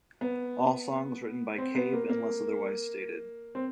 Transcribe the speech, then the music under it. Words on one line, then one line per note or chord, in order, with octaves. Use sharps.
All songs written by Cave unless otherwise stated.
B3
C4
B3
A#3
A#3
C4